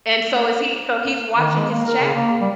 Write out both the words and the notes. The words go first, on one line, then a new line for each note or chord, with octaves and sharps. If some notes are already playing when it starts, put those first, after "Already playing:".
And so is he so, he's watching his chat
D#3
G#3
A#3
A#4
C#3
A#3
G3